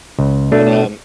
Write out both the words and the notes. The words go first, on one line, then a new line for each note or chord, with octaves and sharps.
and, um
C#2
B2 A3 D4